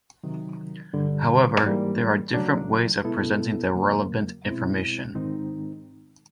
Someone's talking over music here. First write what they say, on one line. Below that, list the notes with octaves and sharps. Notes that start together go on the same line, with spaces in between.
However, there are different ways of presenting the relevant information.
C3 D#3 F#3
G2 D3 G3
G#2 E3 G3 A#3
C#3 F#3 A3 D4
B2 G#3 B3 E4 A4
F2 C#3 F#3 A#3
B2 G#3 C4 E4
G#2 D#3 G#3 C4 D#4